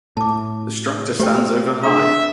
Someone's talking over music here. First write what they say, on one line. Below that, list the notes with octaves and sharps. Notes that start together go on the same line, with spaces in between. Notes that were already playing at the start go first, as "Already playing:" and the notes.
The structure stands over high.
A2 A5 D6
A3 G4 C5 G5
D4 G#4 E5 D#6